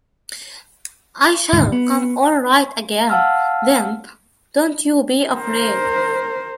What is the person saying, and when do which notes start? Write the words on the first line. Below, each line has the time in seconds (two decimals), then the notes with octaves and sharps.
I shall come all right again, then, don't you be afraid.
1.53 D#1 G#1 G#2 D3
1.72 B3
3.10 F5 F#5 A5 E6 F6
5.31 A#4 C5